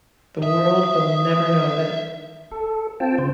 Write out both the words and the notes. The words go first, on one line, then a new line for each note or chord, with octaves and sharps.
The world will never know of it.
E5 D#6
A4
C4 F4 G5 A5
C#3 C5